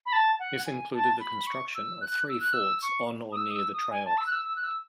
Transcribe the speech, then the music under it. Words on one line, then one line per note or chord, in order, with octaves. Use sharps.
This included the construction of three forts on or near the trail.
B5
A5
F#5
G#5
A5
B5
B5
C#6
E6
F#6
E6
F#6
E6
C#6
D#6
E6
D#6
E6
D#6
G#5
A5
E6
F#6
E6
E6
F#6
E6